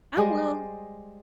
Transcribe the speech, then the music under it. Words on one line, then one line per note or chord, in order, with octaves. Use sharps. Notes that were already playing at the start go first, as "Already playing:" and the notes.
I will
G3 G#3 C5 D#5